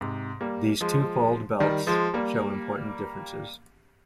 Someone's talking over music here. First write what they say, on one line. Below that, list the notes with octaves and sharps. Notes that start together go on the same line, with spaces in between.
These twofold belts show important differences.
G#2 C3
G3 A#3
F3 G#3
D#3 G3
F3 G#3
G3 A#3